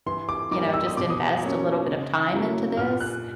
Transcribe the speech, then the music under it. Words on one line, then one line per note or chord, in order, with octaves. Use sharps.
you know, just invest a little bit of time into this?"
E3 C6
D6
G3 A#3 D#4 D6
E6
D#6
B2 D6
D#6
F#3 A#3 C#4
C#3
F#3 A#3 C#4 E4
A#2 F6
F#6